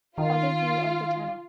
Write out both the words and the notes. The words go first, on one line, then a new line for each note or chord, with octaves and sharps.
Other view of the tunnel.
D#3 F4